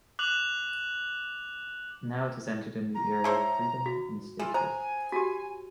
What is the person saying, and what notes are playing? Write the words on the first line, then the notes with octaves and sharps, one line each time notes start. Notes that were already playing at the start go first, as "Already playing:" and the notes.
Now it has entered a new era of freedom and statehood.
D6 F#6 F7 F#7
A#5
E4 C5 C#5 A5
F#4
E3 F4
C5 G#5 A#5
F#4 G4